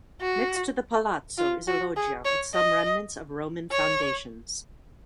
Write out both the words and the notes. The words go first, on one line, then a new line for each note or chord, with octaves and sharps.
Next to the Palazzo is a loggia with some remnants of Roman foundations.
F#4
F4
F#4
G#4
C#5
D#5
C#5